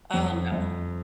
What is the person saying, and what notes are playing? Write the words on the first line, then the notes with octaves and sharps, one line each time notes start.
Oh, no.
F2
F2